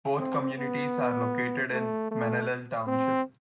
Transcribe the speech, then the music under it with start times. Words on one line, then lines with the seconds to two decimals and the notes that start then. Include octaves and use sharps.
Both communities are located in Menallen Township.
0.19 C4
0.58 B3
1.72 A3
2.11 A3
2.87 C4